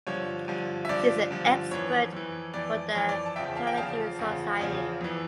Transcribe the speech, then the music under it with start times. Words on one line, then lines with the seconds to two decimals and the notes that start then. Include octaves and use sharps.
She is an expert for The Planetary Society.
0.07 G2 D3 F3 C#5
0.48 G2 D3 F3
0.85 E5
0.89 G2 D3 F3 D5
1.31 G2 D3 F3
1.71 F2 E3 C#5
2.13 F2 E3
2.54 F2 E3 D5
2.95 F2 E3 C#5
3.09 D5
3.26 A5
3.36 E2 C#3 F3 E5 G5
3.56 F5 A5
3.67 G5
3.77 E2 C#3 F3 F5 A5
4.19 E2 C#3 F3
4.59 E2 C#3 F3
5.01 F2 E3